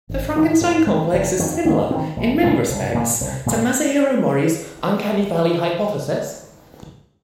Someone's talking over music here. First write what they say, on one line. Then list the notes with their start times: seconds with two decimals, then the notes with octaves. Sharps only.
The "Frankenstein Complex" is similar in many respects to Masahiro Mori's uncanny valley hypothesis.
0.09 G#1
0.35 G#2 D#3
0.61 G#2
0.87 G#3 C4
1.13 F1
1.39 F2 D#3
1.65 D#2
1.91 D#3 C4
2.17 A#1
2.43 A#2 G#3 C4
2.68 C2
2.94 A#2 A#3
3.21 C2
3.46 A#2 G#3